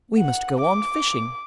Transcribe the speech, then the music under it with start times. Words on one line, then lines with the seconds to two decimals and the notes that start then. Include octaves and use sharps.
We must go on fishing.
0.18 F#5
0.63 D6